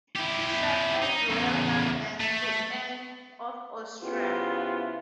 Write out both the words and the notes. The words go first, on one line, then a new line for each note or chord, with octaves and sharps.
She served as royal governess to Anne of Austria.
E4 G4
D#4
E2 C#3
A3
C#3 F3 B3 E4 F4 G4